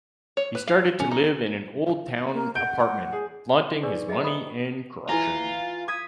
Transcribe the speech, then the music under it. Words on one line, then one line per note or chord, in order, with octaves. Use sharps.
He started to live in an Oldtown apartment, flaunting his money and corruption.
C#5
B4
F5
C#4
D#4
A#3
F#5 G6 D7
G#4
D#4 C6
G#4 B4 C5 D5 G#5 C#6
G#4 D#5 E5 G5 A#5
C5 G5 B5 C#6 D#6
E3 F4 G#5 A#5
D#6 G#6 B6